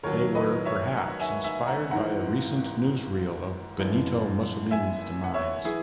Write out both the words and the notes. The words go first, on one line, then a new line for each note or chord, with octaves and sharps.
They were perhaps inspired by a recent newsreel of Benito Mussolini's demise.
D#2 D#3 F#3 A#4 C#5
B4 D#5
C#5 E5
F#5 A#5
E5 G#5
E5 G#5
F#5 A#5
G#1 G#2 E3 F#5 A#5
F#1 F#2 E3
E5 G#5
F#5
C#5 E5
E3 E4 G#4